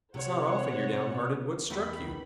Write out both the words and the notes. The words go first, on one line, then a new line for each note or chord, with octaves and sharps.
"It's not often you're downhearted. What's struck you?"
C3 C5 C#5 F#5
E2 D#3 E3 B5